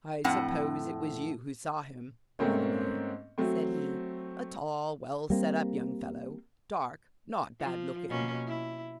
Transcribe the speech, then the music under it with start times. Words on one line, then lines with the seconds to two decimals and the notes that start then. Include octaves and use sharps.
"I suppose it was you who saw him, by the way," said he, "a tall, well-set-up young fellow--dark--not bad looking."
0.24 F2 A2 C4 F#5
2.39 G#2 A3 A#3 C4 C#4
3.38 F#3 A3 C4
5.30 G3 A#3 C4
7.60 F3
8.09 B2 A#3 C#4
8.47 E4